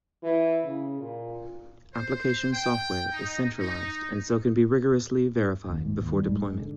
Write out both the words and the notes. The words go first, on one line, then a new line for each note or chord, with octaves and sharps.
Application software is centralized and so can be rigorously verified before deployment.
E3
C#3
A#2
C5
G5
D#4
D#4
D#2
G#2
D#2
G3
G#2
G#3
D3